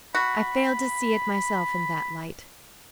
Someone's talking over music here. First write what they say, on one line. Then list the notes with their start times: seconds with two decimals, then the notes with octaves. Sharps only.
I failed to see it myself in that light.
0.15 F#4 B5